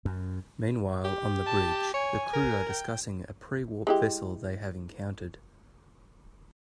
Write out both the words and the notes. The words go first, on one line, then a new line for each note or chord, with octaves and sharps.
Meanwhile, on the Bridge, the crew are discussing a pre-warp vessel they have encountered.
F#2
G4
A5
C#5 G#5
A#4
G5
G#3 E4 G4